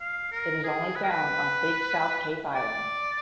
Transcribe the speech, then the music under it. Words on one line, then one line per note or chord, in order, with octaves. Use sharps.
It is only found on Big South Cape Island.
F5
A#4
G#4
B4
A#4
B4
D5